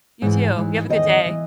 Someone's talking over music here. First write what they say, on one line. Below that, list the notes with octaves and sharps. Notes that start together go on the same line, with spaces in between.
You, too. You have a good day.
G#2 E3
G#2 E3
E2 D#3 D#5
E3